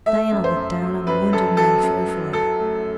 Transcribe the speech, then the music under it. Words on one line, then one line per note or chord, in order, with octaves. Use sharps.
Diana looked down on the wounded man fearfully.
A3 E5
F#2
C5
F#2
F#3
F#2 B4
F#2 A4
F#3 A4
F#2
F#3
F#3 A4
A3